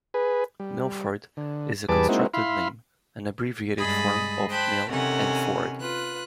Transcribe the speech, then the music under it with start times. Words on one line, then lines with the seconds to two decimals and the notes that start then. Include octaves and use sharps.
Milford is a constructed name, an abbreviated form of mill and ford.
0.14 G#4 B4
0.60 G3
1.37 D3
1.89 E2 G3 G#4 B4 A5 D6
2.08 G#3 A#3 C4 D#4 E4 F#4
2.34 E4 F5 B5 C6
3.76 G2 G#3 G#4 D#5 B5 A6
4.50 C5 G5 A5 B5 F#6
4.89 C3 D#3 C#4 A4 F#5 G#5
5.80 F4 B4 F#6